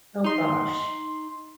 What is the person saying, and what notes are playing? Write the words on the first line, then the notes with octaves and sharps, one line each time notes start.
Oh gosh.
D#4 C6